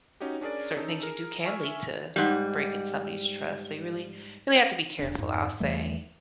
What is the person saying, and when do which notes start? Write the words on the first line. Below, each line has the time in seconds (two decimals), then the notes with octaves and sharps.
certain things you do can lead to breaking somebody's trust, so, you really really have to be careful, I'll say.
0.20 C#4 D#4 F#4 G4
0.41 C#4 D4 G#4 A#4 D5
0.77 C#4 D#4 A4
1.02 G#4 A#4
1.44 E5 G#5 C#6 E6 F6
2.16 G#2 G3
4.99 E1 D4
5.18 F2 G#2
5.60 E2 E3 G3 A3